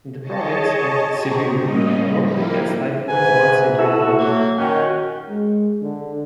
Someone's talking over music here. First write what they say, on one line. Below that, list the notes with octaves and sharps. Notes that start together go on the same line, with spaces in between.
The province of Cebu normally gets typhoons once a year or none.
G#4 C#5 D#5 A5
F#4 G4 C5 A#5 C#6
A2 G3 A#3 C#4 D#5
F3 A#3 D#4 E4 G4 A#4
G#2 E3 B4 G#5
E4 F#4 A4 E5
F#3 A3 A#3 G#6
D#3 C#4 F#4 G5
G#3
D3